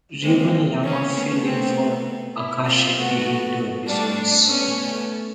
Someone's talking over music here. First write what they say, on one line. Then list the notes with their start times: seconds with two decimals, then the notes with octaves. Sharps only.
Reuben Lama filled in for Akash Shetty in two episodes.
0.23 G#3 A#3 C4
0.84 A#3 C4 C#4
1.14 A3 B3
1.45 C4
2.36 E4
2.66 A#3 C4 F4
2.96 A3 B3 F#4
3.87 G3 A3 D4
4.48 A3 B3 C#4
4.78 A3 B3